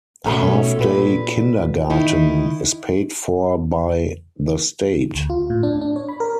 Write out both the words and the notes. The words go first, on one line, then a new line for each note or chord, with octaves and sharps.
Half day kindergarten is paid for by the state.
B2 A3 C#4
A#2 B4
D#3 D#4 E4
D2
F4
A2
D4
D4
C#5
B5
A#4